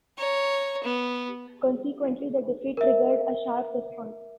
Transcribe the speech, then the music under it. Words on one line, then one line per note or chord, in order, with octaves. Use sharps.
Consequently, the defeat triggered a sharp response.
C#5 A#5
B3
A#4 E5